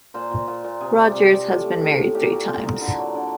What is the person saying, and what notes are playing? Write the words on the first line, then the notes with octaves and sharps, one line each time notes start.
Rogers has been married three times.
A#2 C5
A#2
A#2
A#2
C3 G#4
G3
C3
C3
A2
A2
A2
A2
A#2 G4
A#2 F#4
A#2 F4
A#2 D#4
D3 E4
F#3
D3